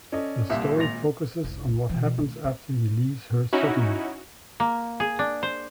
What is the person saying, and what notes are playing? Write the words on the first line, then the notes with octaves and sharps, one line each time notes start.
The story focuses on what happens after he leaves her suddenly.
C#4 A4 D5 D#5
C2 A#2 E5 F5
G#1 A#2 A6 A#6 F7
F1 C2
B2 E3
D#3 A3
C4
C#4 D#4 E4 F#4
A#3
G#4
D4
C5